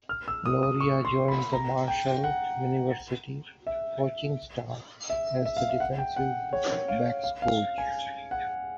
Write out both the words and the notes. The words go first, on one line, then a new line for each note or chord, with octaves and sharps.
Loria joined the Marshall University coaching staff as the defensive backs coach.
F6
E6
D#6
D#6
C#6
C6
B5
A#5
G5
F#5
E5
E5
E5
F5
E5
F#5
G5
F#5
C#5
F5
F5
F5
G#5
F#5